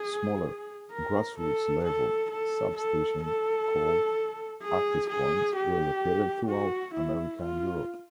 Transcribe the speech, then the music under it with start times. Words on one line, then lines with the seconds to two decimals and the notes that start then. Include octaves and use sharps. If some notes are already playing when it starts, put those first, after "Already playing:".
Smaller, "grass-roots"-level sub-stations called "Access Points" were located throughout America and Europe.
Already playing: G#4
0.91 A#4
1.38 A4
1.84 A4
2.30 A4
2.77 A4
3.24 A4
4.63 G#4
5.09 G#4
5.56 G4
6.49 F#4
6.94 E4
7.40 F4